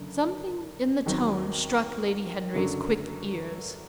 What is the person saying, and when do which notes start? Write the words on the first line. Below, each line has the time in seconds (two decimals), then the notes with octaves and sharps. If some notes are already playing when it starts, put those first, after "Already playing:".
Something in the tone struck Lady Henry's quick ears.
Already playing: F#1 F#2 D3
1.06 D#2 D#3 F#3 C4
2.53 F#1 F#2 D3 F#3